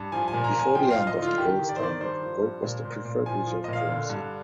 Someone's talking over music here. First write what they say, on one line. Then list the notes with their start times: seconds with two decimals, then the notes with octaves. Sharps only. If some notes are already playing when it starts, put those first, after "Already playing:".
Before the end of the gold standard, gold was the preferred reserve currency.
Already playing: G2
0.12 F3 G#5
0.28 G#5
0.33 A#2
0.44 A#5
0.55 A#2 G#5
0.75 F3 G5
0.91 F5
0.96 F3
1.07 D#5
1.17 D3
1.22 F4
1.38 D#3 G4
1.59 D#3
1.69 D5
1.76 C5
1.80 D#3 D5
2.01 G2 C5
2.22 F3
2.42 G2
2.63 A#2
2.84 A#2
3.05 A#2
3.26 F3 G#5
3.47 F3
3.64 A#2 D#5
3.73 F5
3.89 D3
4.10 G2